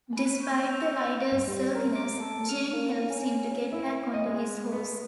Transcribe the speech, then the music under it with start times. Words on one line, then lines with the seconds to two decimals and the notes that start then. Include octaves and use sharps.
Despite the rider's surliness, Jane helps him to get back onto his horse.
0.13 A#3 B5
0.25 F#6 B6 D#7
0.40 C#6 G6
0.68 E6 G6 F7
0.97 E6
1.32 G2
1.48 G3
1.75 A#4
1.95 D6
2.20 A4
2.49 F6
2.73 A#3
3.10 C#4
3.72 E4
4.14 D#5
4.26 G#3
4.72 B3